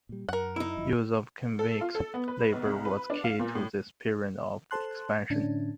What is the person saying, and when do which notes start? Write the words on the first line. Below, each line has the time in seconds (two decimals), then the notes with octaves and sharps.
Use of convict labour was key to this period of expansion.
0.09 A#2 G3
0.29 F#2 A#4 F#5
0.56 D#4 E4
0.77 G1 F#2 F3
1.59 A4
1.81 F4
1.95 A4
2.14 B3
2.28 B4
2.52 B1
2.65 C2
2.85 B4
3.10 D4
3.24 F5
3.40 A#2
3.55 A2
4.71 A4 C5 A5 C6 F#6
5.30 A2 D3 C#4 D4